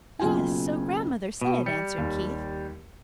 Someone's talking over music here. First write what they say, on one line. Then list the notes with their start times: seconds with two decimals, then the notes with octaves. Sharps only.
"Yes, so grandmother said," answered Keith.
0.20 F#1 B1 F4 G5 G#5
1.41 B2
1.66 G3 C#7
1.98 D#2